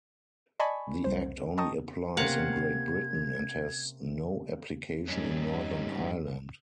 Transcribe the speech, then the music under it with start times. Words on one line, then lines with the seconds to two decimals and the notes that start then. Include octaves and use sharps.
The Act only applies in Great Britain and has no application in Northern Ireland.
0.60 D5 D#5 G#5 A5 B5 C#6
1.04 C2 C5
1.57 D#5 G5 A5 A#5 C#6 D#6
2.17 C3 A#3 C#4 F5 F#5 G#6
5.08 G2 C#4 D#4 G4